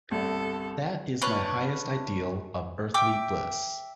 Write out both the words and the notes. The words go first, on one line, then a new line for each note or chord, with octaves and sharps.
That is my highest ideal of earthly bliss.
G1 C2 A4
C#4 D4 B4 C#5
E5 G5 D6